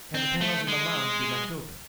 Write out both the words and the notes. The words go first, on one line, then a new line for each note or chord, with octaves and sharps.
"Can the panels in the lounge be left open?"
C4
A3
G#3